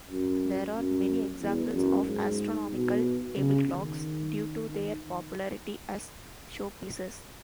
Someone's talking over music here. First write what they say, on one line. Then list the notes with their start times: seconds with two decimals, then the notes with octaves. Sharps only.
There are many examples of astronomical table clocks, due to their popularity as showpieces.
0.11 F#2
0.76 F#2
1.41 E2
1.73 F#2
2.06 G#2
2.72 B2
3.37 C#3
3.70 D#3
4.67 D#3